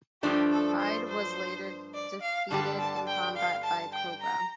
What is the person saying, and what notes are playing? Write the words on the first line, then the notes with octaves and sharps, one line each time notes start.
Hyde was later defeated in combat by the Cobra.
G2 F3 A3 D4 G4
A4
C5
C5
D5
F5
G2 D3 G3 D4 G4 A5
A5
G5
F5
A5
G5
A#5